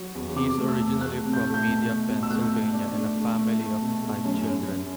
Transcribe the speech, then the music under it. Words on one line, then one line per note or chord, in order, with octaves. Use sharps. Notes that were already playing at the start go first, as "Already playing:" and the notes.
He is originally from Media, Pennsylvania and a family of five children.
Already playing: F#3
E2
C3 D6
A3
E6
E2
A3 F#6
C3
G6
A3
G6
B2
A3
B2
E6
A3 F#6
B2
D4
A3
A3
A3
A3
B2
A3
F#2
F#2
F#2